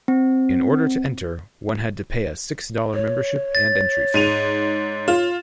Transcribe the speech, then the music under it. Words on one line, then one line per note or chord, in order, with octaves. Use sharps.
In order to enter, one had to pay a six-dollar membership and entry fee.
C4
C#5
A6
G#2 D#7 F7
F4 E7